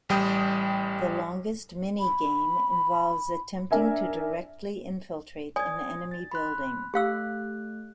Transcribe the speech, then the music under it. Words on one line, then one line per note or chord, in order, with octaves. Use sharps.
The longest mini-game involves attempting to directly infiltrate an enemy building.
A1 G3 G5 D#6
B5
D4 A#4 E5 G#5
D5 G#5 D#6 G#6
A6
B5 C6 F#6
A3 G4 F5 E6 F#6